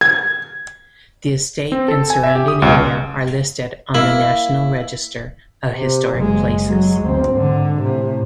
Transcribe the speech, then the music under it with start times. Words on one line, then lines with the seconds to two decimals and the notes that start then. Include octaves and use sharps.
The estate and surrounding area are listed on the National Register of Historic Places.
0.01 G#6
1.72 C4
1.88 A4
2.10 G#5
2.23 E5
2.35 G4
2.48 D#6
2.62 C#2
3.95 A#3 E4
5.74 C3
6.15 F#1 G#3
6.66 F#3 G#3
7.02 D2 C4
7.33 G#2 D3
7.82 A2 C3